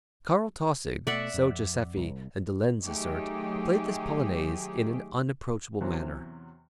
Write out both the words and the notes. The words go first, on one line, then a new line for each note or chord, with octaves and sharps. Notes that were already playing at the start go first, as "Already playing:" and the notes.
Karl Tausig, so Joseffy and de Lenz assert, played this Polonaise in an unapproachable manner.
B2 A3 D5 E5 F#5
F2
C2
D#3 F#3 A3 D#4 G4 G#4
E2 C3 E3 F#3